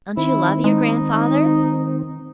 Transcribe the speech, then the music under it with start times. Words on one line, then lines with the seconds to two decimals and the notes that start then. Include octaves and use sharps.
"Don't you love your grandfather?"
0.17 D#3 C4 E4
0.64 G#3 D#4